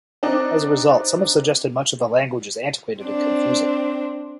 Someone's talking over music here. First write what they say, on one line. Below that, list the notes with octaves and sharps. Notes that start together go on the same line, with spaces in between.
As a result, some have suggested much of the language is antiquated and confusing.
C4 D4 D#4
C4 D4